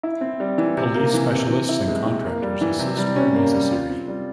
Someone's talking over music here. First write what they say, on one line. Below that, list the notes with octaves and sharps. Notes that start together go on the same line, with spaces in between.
Police specialists and contractors assist where necessary.
E4
C4
G3
E3
C3
A#3
E3
C3
E3
E4
G#3
E3
A#3
G3
E3
C3
G3
C#4
A#3
G3
F4
C4
G3